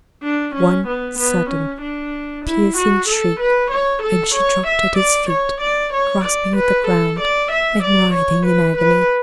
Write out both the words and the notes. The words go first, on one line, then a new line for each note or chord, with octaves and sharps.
One sudden, piercing shriek, and she dropped at his feet, grasping at the ground, and writhing in agony.
D4
C#4
B3
B3
C#4
D4
E4
F#4
A4
B4
C#5
A4
C#5
E5
D5
C#5
D5
C#5
D5
B4
A4
D5
E5
D5
C#5
B4
B4